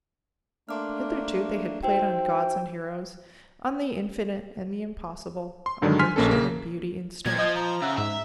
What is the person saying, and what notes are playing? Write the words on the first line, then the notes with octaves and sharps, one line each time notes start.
Hitherto they had played on gods and heroes, on the infinite and the impossible, on virtue and beauty and strength.
A3 A#3 D4 C6 D6 F6
D#4 F#4 C5 E5 G5
C6
G2 D3 D#3 F#3 G#3
G#5 C6 F6 B6
A#1 A#3 C#4 A4
C#3 A#3
F2 A#2 G#6
F3 D#5 G6 A6
A#5
C#3 E5 F#5
G#2 E5